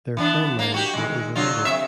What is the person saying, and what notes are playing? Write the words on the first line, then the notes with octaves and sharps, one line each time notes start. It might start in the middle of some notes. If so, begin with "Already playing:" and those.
Their phone lines were overloaded.
E3 B3 D4
A#3
F#4 G4
D#3 G#3
D3 F#3 F4
C3 E5